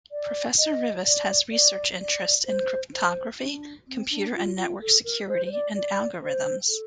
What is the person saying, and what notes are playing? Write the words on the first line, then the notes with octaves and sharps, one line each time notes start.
Professor Rivest has research interests in cryptography, computer and network security, and algorithms.
D5
D#5
D5
D5
D5
C5
C5
D4
C4
D4
F4
F4
A4
A#4
C5
C5
D5
D5
C5
A4